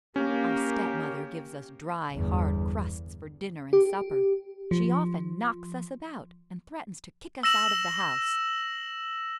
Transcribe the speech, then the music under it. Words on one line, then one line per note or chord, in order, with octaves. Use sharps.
Our stepmother gives us dry hard crusts for dinner and supper; she often knocks us about, and threatens to kick us out of the house.
A#3 C#4 G4
G1 E2
G4
F3
E6 A#6 E7 F#7